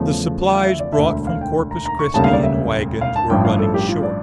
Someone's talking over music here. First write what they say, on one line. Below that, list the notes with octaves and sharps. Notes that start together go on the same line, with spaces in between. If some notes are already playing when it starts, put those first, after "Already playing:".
The supplies brought from Corpus Christi in wagons were running short.
Already playing: E2 C#3 F3 A3
F5
E5
D5
E5
E1 D2 D3
F5
G5
A#5
A#5
C#6
E1 D2 C#3 G3 A#3 A5
F5
D5
E5
F5
A5
A1 G2 F3 G5
F5
A4
G4
F4
D5